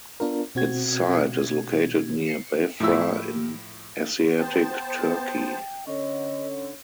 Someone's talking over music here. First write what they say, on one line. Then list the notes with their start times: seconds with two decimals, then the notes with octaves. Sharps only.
Its site is located near Bafra in Asiatic Turkey.
0.20 B3 D4 F4 A#4
0.55 B2 C4 F#4 G#6
2.27 C7 C#7
2.80 A2 F3 E4 E6
4.39 B3 C5 G5 A5
5.87 D3 C#4 C#5 D#5